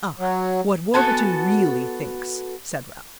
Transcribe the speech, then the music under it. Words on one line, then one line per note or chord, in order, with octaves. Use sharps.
"Ah, what Warburton really thinks--!" said Ralph.
F#3
B3 F#4 A4 G#5